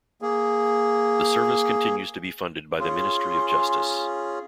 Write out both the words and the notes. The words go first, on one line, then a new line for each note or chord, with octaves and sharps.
The service continues to be funded by the Ministry of Justice.
A#3 G#4
C#4 F4 G#4 C6